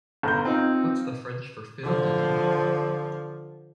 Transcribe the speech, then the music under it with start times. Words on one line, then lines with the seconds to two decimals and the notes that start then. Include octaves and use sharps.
What’s the French for fiddle-de-dee?
0.23 G1 A#5 G6
0.45 C4 D#4 F4
1.83 D3 F3